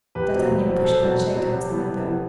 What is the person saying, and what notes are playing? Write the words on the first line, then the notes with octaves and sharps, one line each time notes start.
D'Artagnan pushed Planchet towards the window.
E2 G4 B4
B2 F#3 C4
E2
B2 F#3 C4
E2 A4 C5
B2 F#3 C4
E2
B2 F#3 C4
C3
E3 B3
C3
E3 B3